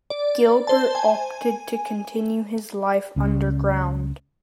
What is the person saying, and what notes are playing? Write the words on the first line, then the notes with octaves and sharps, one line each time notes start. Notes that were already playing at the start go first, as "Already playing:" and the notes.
Gilbert opted to continue his life underground.
D5
C5 A5
G#5
C#2 C#3